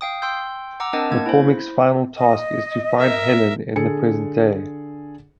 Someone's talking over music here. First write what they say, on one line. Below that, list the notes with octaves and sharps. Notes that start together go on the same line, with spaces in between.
McCormick's final task is to find Helen in the present day.
F5 G5 D#6
G5 C6 E6 G6
F#5 A#5 D6 E6
C4 D4 A#4 D#5 F#5 A5
A#3 G#6
E4 C5
D#5
A#4 E5
D3 G#4 A4 C#7